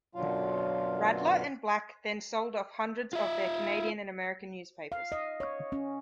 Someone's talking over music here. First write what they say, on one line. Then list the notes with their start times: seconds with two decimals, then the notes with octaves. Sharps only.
Radler and Black then sold off hundreds of their Canadian and American newspapers.
0.15 F#2 B2 D3 F#3 F4 F5
3.13 F4 E5
4.92 F5
5.12 D#5
5.40 C#5
5.72 C#4